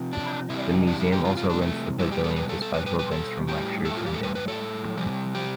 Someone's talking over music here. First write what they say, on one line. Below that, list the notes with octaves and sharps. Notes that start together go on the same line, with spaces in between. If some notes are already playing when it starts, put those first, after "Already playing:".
The museum also rents the pavilion to special events from lectures to dinners.
Already playing: C3 F3
D4
C3 E3 G3 E4
D4
E4
G4
F4
F4
D4
A3
B2 G3 E4
G4
A4
B4
A4
A4
B4
B4
B4
A4
A2 G3 G4
A4
F4
G4
A4
B4
B4
A4
C3 G3
G4